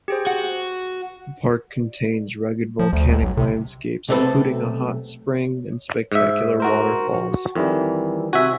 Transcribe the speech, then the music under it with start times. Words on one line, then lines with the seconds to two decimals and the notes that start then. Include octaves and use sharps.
The park contains rugged volcanic landscapes including a hot spring and spectacular waterfalls.
0.08 G4 G#4 C5
0.27 F#4 F#5
2.79 F3
2.93 D2
3.09 C#2
3.22 B1
3.37 C3
4.09 B1 C3 A3 C4 A4 B4
6.12 G#2 E5
6.60 F#4 A#4 C5
7.14 F#4
7.55 F2 D#3 E3 G3
8.33 C3 F#4 E5 G#5